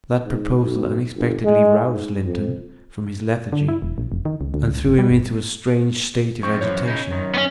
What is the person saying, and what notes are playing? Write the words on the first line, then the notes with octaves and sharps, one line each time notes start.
That proposal, unexpectedly, roused Linton from his lethargy, and threw him into a strange state of agitation.
G#2
B1
G1
G#3
G#2
F2
D3
E4
E1
A#1
F1
D#3
C#2
D2
C#2
F#1
G3
G1
F3 C4 C#6
F#2 E3 F3 C#5
C#3 D#4 E4
F#2 D#3
B3 C#4